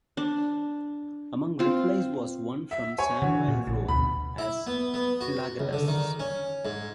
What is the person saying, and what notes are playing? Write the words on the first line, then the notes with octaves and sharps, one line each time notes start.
Among replies was one from Samuel Rolle as Philagathus.
D4
C4 F4
E5
C#5 G#5
C#3 E3 F#4
A#2
A1
D2 B2 B5
E4
B3
B3
F#4
C#2
D3
D#3
C#4
G#2